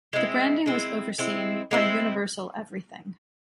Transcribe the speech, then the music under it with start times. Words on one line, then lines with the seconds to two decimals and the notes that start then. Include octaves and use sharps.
The branding was overseen by Universal Everything.
0.13 G#3 C4 E4
0.66 G#3 C4 E4
1.18 G#3 C4 E4
1.71 G#3 C4 E4